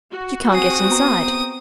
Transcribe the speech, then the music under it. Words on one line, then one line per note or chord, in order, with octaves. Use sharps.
"You can't get inside."
F#4
C4 G#5 D#6 C7
B3 A#5